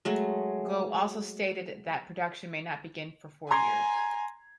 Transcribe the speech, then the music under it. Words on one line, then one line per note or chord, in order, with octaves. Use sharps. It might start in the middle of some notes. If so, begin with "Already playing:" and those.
Gwo also stated that production may not begin for four years.
F#3 G#3 A3
G#5 A#5 C6 G#6